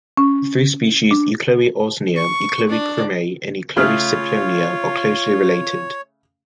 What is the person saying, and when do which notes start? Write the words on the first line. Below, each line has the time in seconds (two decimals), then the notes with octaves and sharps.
The three species "Euchloe ausonia", "Euchloe crameri" and "Euchloe simplonia" are closely related.
0.17 C#4
1.11 D4
2.16 C#6
2.69 D4
3.77 C#3 A3 F4 C#5 F5 D#6 F6